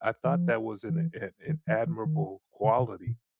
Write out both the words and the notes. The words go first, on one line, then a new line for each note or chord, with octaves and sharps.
I thought that was an a uh, an admirable quality,
E3
F3
E3
D#3
E3
E3
D#3
C#3
B2
A#2